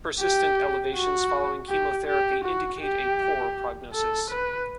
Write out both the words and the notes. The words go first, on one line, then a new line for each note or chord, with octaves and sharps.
Persistent elevations following chemotherapy indicate a poor prognosis.
G4
F#4
G4
G4
F#4
G4
A4
B4